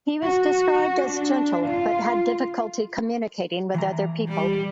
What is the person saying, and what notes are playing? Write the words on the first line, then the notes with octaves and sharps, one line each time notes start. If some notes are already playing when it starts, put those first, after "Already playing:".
He was described as gentle but had difficulty communicating with other people.
F#4
D4
F4
E3 A#5
G3